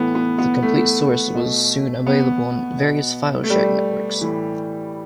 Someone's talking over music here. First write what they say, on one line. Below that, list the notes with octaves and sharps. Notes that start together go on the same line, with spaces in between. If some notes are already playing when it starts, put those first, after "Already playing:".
The complete source was soon available in various file sharing networks.
Already playing: A2 E3 B3
B3
B3
A3
B2
B3
B2
A3
G3
A2 E3